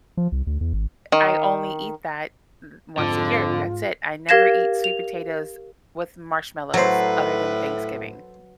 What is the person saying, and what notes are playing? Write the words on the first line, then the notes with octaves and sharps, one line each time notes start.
eh I only eat that th once a year, that's it. I never eat sweet potatoes with marshmallows other than Thanksgiving.
F3
C2
D2
E2
G#1
D#3
F2 G#2 D3 F4
G4 A#4 F5 G#6 A#6 E7
F7
A2 F#3 A4 B4 C5